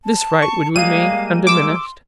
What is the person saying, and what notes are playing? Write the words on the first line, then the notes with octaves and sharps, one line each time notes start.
This right would remain undiminished.
A5
C#6
G3 G#3 A#3 F5 D#7
C6 D6 E6